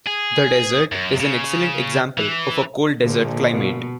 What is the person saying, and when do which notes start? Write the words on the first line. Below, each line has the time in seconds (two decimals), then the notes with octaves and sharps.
The desert is an excellent example of a cold desert climate.
0.07 G#4
0.92 F#2
1.20 C#3
2.18 E3
3.02 A#1 A#2 D3
3.50 B2